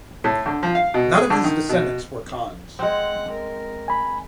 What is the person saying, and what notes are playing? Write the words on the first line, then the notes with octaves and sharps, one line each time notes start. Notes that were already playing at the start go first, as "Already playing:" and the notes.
None of his descendants were khans.
A2
D3
F3
F5
B2
G#4
D3
D#3
B2
G#3 C4 F#5
A#4
G#5 B5